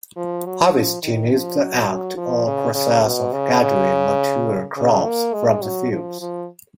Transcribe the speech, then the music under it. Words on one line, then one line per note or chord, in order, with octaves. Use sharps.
Harvesting is the act or process of gathering mature crops from the fields.
F3
F#3
F3
D#3
F3
F#3
F#3
F3
C#3
C#3
B2
C#3
C#3
C#3
A#3
G#3
F#3
F3
F3